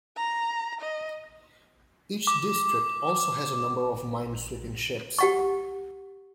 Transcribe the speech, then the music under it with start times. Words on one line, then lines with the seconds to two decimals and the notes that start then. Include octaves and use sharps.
Each district also has a number of minesweeping ships.
0.17 A#5
0.81 D#5
2.27 D6
5.19 G4 F#5 C#6